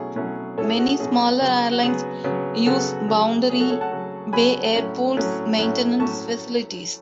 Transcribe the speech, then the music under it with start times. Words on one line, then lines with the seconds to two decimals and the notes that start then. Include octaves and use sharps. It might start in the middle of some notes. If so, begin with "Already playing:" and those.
Many smaller airlines use Boundary Bay Airport's maintenance facilities.
Already playing: B2 F#3 A3 C#4 E4 G#4
0.16 B2 F#3 A3 C#4 E4
0.58 B2 F#3 A3 C#4 E4 A4 C#5
0.68 G#4
0.79 F#4
0.89 G#4
1.00 B2 F#3 A3 C#4 E4 G#4
1.41 C#3 F#3 B3
1.72 F#4
1.83 C#3 F#3 B3 G#4
2.24 C#3 F#3 B3
2.66 C#3 F#3 B3 F#4 A4
3.08 C#3 F#3 A3
3.49 C#3 F#3 A3 G#4
3.60 F#4 A4
3.70 A4 C#5
3.81 F#5 A5
3.92 C#3 F#3 A3
4.33 C#3 F#3 A3 G#5 B5
4.75 A2 F#3 A3 C#4
5.16 A2 F#3 A3 C#4
5.58 A2 F#3 A3 C#4
6.00 A2 F#3 A3 C#4 A5 C#6